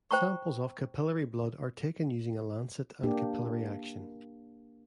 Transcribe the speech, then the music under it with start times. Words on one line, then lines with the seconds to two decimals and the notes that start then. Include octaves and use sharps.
Samples of capillary blood are taken using a lancet and capillary action.
0.11 C5 G5 A#5 C#6
3.03 A#3 D4 G4